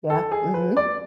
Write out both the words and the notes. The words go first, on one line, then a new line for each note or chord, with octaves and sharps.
Yeah, mhm.
A4
G#4
B4
D5